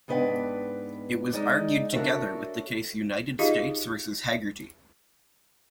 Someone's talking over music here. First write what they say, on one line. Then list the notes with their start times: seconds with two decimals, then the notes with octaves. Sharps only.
It was argued together with the case "United States versus Haggerty".
0.08 G#2 B3 D4 B4 F#5 G5
1.33 G#3 D#4 D5
1.93 D4 F#4 A4 A#4 C#5 E5
3.39 D#4 F4 G4 G#4 D#5 F5